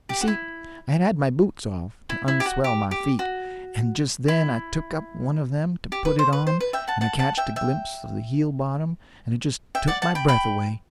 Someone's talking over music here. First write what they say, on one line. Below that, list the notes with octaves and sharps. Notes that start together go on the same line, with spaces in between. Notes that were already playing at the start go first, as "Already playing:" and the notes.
You see, I had had my boots off, to unswell my feet, and just then I took up one of them to put it on, and I catched a glimpse of the heel-bottom, and it just took my breath away.
G4
F#4
E4
E4
E4
G4
F#4
G4
G4
F#4
E4
G4
B4
C5
B4
C5
B4
E5 G5
F#5 A5
F#5 A5
F#5 A5
E5 G5
E5 G5
E5 G5
D5 F#5
F#5 A5
G5 B5
G5 B5